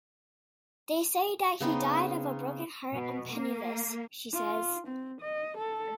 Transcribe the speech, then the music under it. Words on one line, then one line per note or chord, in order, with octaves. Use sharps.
They say that he died of a broken heart and penniless, she says.
C#3 B3 C4 D#4
B2
A#3
F4
C4
D#5
A4